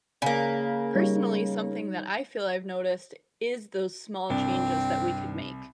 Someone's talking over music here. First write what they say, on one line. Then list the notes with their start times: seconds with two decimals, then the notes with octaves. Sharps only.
Personally, something that I feel I've noticed is those small changes that we could make,
0.22 C#3 A#3
0.95 G3 D#4 C#5
4.30 C2 G2 C4 D4